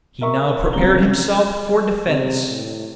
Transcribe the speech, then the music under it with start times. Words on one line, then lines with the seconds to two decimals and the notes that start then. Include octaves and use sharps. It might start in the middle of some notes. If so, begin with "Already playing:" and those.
He now prepared himself for defence.
0.21 A#4 E5 C#6
0.73 C2 C#3 A#5 G7
2.07 C3
2.48 A2